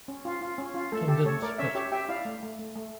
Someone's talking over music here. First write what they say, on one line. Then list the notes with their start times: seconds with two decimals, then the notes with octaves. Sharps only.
Tom didn't spit.
0.08 C#4
0.25 F4
0.41 F4
0.58 C#4
0.75 F4
0.92 A3 A4
1.08 G4 A4
1.25 A3 A4 C#5
1.42 A3 A#4 D5
1.58 C#4 C#5 E5
1.75 G4 C#5 E5
1.92 G4 E5 G5
2.09 E4 D5 F5
2.25 A3
2.43 A3
2.59 A3
2.76 A3